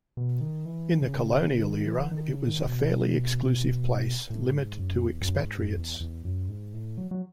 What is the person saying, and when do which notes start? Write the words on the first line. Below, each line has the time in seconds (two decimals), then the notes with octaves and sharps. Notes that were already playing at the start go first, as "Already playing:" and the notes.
In the colonial era it was a fairly exclusive place limited to expatriates.
0.17 B2
0.41 D#3
0.65 E3
1.02 C#3
1.35 B2
1.38 C#3
1.62 D#3
1.87 E3
2.11 D#3
2.30 C#3
2.48 D#3
2.66 B2
4.30 A2
4.54 G#2
4.79 F#2
5.03 E2
5.21 F#2
5.39 G#2
5.58 F#2
5.76 E2
6.00 E2
6.25 F#2
6.49 G#2
6.73 A2
6.98 F#3
7.11 F#3